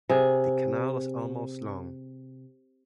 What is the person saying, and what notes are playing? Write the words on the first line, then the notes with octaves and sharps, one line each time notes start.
The canal is almost long.
C3 G#4